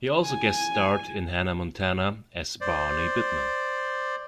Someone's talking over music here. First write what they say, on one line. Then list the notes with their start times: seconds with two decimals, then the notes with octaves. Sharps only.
He also guest-starred in "Hannah Montana" as Barny Bittmen.
0.25 G#5
2.61 C5 D5